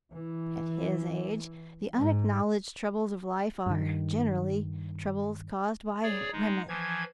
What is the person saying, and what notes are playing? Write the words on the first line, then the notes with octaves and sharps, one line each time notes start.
At his age, the unacknowledged troubles of life are generally troubles caused by women.
E3
G#2
G2 D#3
G#4 C#5 D5
G#3 D#4
E3 F3 G#6